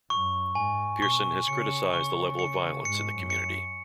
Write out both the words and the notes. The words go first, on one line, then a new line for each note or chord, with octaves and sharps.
Pearson has criticised the level of violence in the community.
F#2 C#6
G#2 G#5
B2 C#6
C#3 C#7
C#3 C#6
C#7
G#2 C#7
F#2
C#7